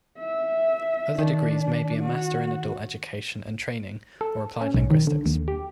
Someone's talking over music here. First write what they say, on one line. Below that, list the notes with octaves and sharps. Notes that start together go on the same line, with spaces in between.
Other degrees may be a Master in Adult Education and Training or Applied Linguistics.
E5
D#3 D4
F#4
A4
C#4
B1
D#3
D3
D#2
G4